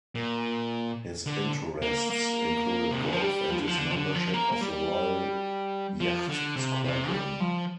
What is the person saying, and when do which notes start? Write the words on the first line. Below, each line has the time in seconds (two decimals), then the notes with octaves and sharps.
His interests included golf and his membership of the Royal Yacht Squadron.
0.15 A#2
1.26 D3
1.82 A#3
2.10 A#3
2.91 C3
3.01 D3
3.12 F3
3.22 G3
3.50 F3
3.59 D3
3.67 F3
3.78 D3
3.91 F3
3.96 D3
4.15 F3
4.34 A#3
4.52 A#3
4.61 G3
6.00 F3
6.29 D3
6.56 C3
6.84 C3
7.11 G3
7.40 F3